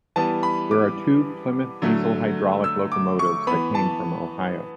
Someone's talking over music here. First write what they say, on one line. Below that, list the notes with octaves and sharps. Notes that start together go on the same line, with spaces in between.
There are two Plymouth diesel-hydraulic locomotives that came from Ohio.
E3 G3 B3 A5
B5
D6
D3 F#3 A3
E6
D6
C#6
E3 B3 B5
A5